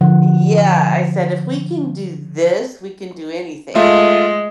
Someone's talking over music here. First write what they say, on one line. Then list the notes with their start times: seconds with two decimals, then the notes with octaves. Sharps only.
Yeah, "I said if we can do this, we can do anything."
0.01 D3 F3 F#5
3.75 G#3 A3 F4 E5